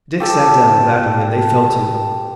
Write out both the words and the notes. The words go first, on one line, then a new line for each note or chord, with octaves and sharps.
Dick sat down gladly, and they fell to.
G4 A4 A5